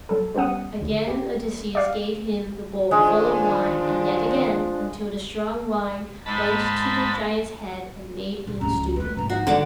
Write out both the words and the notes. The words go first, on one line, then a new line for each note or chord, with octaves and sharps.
Again Odysseus gave him the bowl full of wine, and yet again, until the strong wine went to the giant's head and made him stupid.
F#3 A4
G3 B3 C#4 F#5 D#6
D2
G4
D5 F5
D#3 F3 G#3 D4
G#2 G#3 A5 B5
G#2
C#2 F3 A#5
D#3 A3 B4
G#2 F3 A#5
D#4 F#4
D3 G#3 F#5 D6